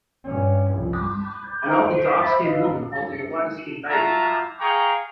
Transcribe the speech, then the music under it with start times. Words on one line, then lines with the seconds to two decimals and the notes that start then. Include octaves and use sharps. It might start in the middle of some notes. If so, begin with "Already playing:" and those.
An older darkskinned woman holding a lighterskinned baby.
0.24 G2 C#4
0.74 C2 F2
1.65 D#4 C5 G5
1.86 C5
2.24 C5 E5 B5
2.42 B4 D#5 F5
3.88 F4 F#4 E5 A5 A#5
4.60 G#4 F5 G5 A#5 C#6